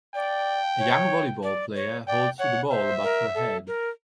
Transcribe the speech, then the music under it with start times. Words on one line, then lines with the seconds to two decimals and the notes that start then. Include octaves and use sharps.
A young volleyball player holds the ball above her head.
0.14 D5 G5
0.79 C#5
1.43 D5
1.75 C#5
2.07 D5 G5
2.39 C#5 F#5
2.71 C5 E5
3.03 A#4
3.35 A4
3.67 A#4